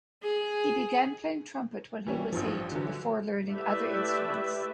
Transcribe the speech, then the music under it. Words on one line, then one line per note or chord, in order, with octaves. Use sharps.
He began playing trumpet when he was eight, before learning other instruments.
G#4
E3 G3 C#4
A1 G2 F3
D3 E3 F#3
A3 E4 G4 B4 D5 E5